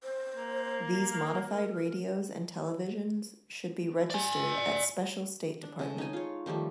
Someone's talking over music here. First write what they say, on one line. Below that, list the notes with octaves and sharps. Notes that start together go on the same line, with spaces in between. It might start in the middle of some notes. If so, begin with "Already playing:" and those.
These modified radios and televisions should be registered at special state department.
C5
A#3
A#4
D5 G#5
D4
C#3 G#3 A4
D#4 G#5
F4 C#5
D#3 F3 G3 A3